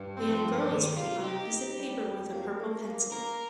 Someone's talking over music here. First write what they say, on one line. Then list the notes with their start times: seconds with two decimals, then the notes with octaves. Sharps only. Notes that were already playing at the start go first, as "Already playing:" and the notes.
A young girl is writing on a piece of paper with a purple pencil.
Already playing: G2
0.17 C4
0.22 G3
0.30 F3
0.43 G2
0.70 D#3 G3
0.97 C3 F4
1.23 D#4 G4
1.51 D#4
1.78 G3
2.05 F2
2.32 A#3
2.58 A#3
2.85 A#3
3.12 A#3 A#4